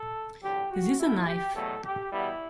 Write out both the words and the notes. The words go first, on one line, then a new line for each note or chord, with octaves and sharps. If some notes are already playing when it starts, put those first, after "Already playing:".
This is a knife!
Already playing: A4
E2 D3 F#3 G4
F#4
B2 A3 E4
G4
E2 B2 F#3 A3 A4
G4
E2 B2 G3 B3 E4